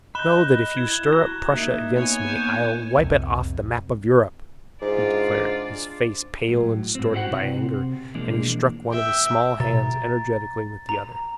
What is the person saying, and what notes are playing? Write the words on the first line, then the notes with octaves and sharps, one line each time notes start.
"Know that if you stir up Prussia against me, I'll wipe it off the map of Europe!" he declared, his face pale and distorted by anger, and he struck one of his small hands energetically with the other.
D#5 B5 F#6 G6 E7 G7
E4 G#6
F#4 A#5
A#3 D#4 E5
B3 C#5 G#5
G6 D#7 E7
C2 F2 C3
G#2 D4 F4 D5
A2 F#3
G#2 C4
E4 F#4 G4 C5 E5 F#5
C3 C4
B2 E3 F3 G#3 A#3 D4
E5 G5
B2 A#5 A6
A#5